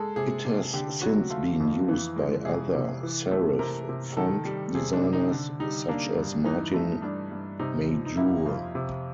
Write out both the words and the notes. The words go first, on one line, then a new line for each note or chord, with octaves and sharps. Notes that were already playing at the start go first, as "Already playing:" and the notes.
It has since been used by other serif font designers such as Martin Majoor.
Already playing: G#3 G#4 A4
C3 G#4
C3
D3 G4
F#3 F#4
A3 F4
F2
E3
G#3
C3 G#4
C3
E3
A3
C3 A#4
C3
D#3 A4
G3
C3 G#4
D4
C3
D#4
D3
G3 D#4
A#3 D4
G2
E3 D#4
A3
G2 D4
G2
C3 D#4
F3
D#4
A#3 E4
F2 F4
C3